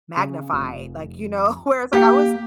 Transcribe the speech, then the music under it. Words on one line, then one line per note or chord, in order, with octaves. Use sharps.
magnified, like, you know, where it's like I was
C#3
F1
A#3 G4